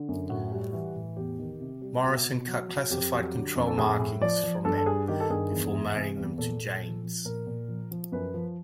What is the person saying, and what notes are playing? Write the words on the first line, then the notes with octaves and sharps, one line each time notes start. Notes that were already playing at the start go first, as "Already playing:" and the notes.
Morison cut classified control markings from them before mailing them to "Jane's".
Already playing: D3
F#2
A2 F#4
G3
E3
A2
E2 G4
D#3
C3
G3
B2 F#4
B2
F#3
F#3
F2 G4
F#3
D3
F2
A4
A2 G#4
A2
F3 D5
F3
G2 A4
A4
G3 G#4
D#3 G4
A4
G2 G#4
E2
E3
C3
E2
A#2 A4
A#2
F3
F3
A#2 A#4
A#2
F3
F3
F#2 B4
F3